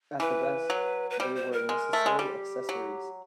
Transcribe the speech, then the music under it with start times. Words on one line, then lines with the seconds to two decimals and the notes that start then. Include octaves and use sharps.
At the best, they were necessary accessories.
0.20 E3 B4
0.70 F#3
1.11 B4
1.20 G3 C5
1.36 C5
1.53 A#4
1.69 G#3
1.93 A3
2.06 G#3
2.19 G3 G4
2.69 F#3